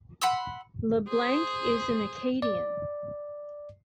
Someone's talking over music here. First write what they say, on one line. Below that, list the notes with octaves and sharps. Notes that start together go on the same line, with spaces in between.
LeBlanc is an Acadian.
F#5 B5 C6 E6
G#4 C5
D5